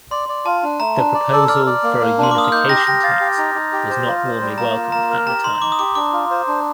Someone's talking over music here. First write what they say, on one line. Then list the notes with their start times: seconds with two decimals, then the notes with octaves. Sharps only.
The proposal for a unification tax was not warmly welcomed at the time.
0.11 D5 C6
0.29 D5
0.45 F4 A5
0.63 D4
0.80 A3 A#5
0.97 D4
1.14 D5
1.32 A4
1.48 D5 F6
1.66 D5
1.83 A#3
2.01 A#3
2.18 D4
2.23 C6
2.31 D6
2.34 A#3 D#6
2.44 F6
2.52 D#4 G6
2.69 G4 A#6
2.87 G4 A#6
3.03 F5 A6
3.20 G4
3.38 D#4
3.55 D#4
3.73 G4
3.89 C5
4.07 F4
4.24 C5
4.41 G3
4.58 A#3 A#5
4.76 F4
4.92 A#3 A#5
5.10 A#4
5.27 G4 A#5
5.44 D#4 C6
5.62 D#4 D6
5.72 D#6
5.79 G4 D6
5.95 D4 D6
6.12 F4
6.31 C5
6.48 D4